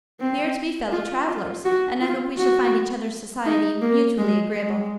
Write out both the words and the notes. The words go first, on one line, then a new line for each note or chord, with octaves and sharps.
'We are to be fellow-travellers, and I hope we shall find each other's society mutually agreeable.'
C4
F4
F4
F#4
F4
F#4
D#4
A#3
G#3
G#3